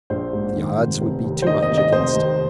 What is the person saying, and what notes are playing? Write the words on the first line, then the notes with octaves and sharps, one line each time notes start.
The odds would be too much against him.
A#1 C5
G#2
D#3
F1
F1
D#2
C5
D#3 D#5
D#5
F1
D#5
F1 C5
D#2